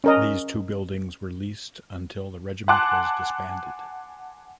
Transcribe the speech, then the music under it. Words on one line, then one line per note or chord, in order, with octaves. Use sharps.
These two buildings were leased until the regiment was disbanded.
C#4 A#4 D#5
F#5 G#5 A5 C6 D6 F#6